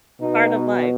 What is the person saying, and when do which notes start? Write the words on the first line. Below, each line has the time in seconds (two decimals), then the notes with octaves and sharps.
part of life.
0.21 B2 D#4